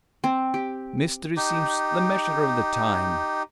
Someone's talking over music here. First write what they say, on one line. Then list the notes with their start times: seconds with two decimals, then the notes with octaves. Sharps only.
Mystery seems the measure of the time!
0.24 C4
0.54 G4
1.36 D#4 G4